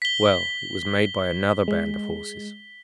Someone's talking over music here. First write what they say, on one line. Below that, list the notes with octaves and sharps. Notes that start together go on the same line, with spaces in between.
"Well, it was made by another band of horses."
B6 G7
G#3